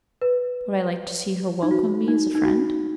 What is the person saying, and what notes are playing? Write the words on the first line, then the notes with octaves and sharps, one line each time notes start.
Would I like to see her welcome me as a friend?
B4
D#4
F#4
D#4
D#4
F#4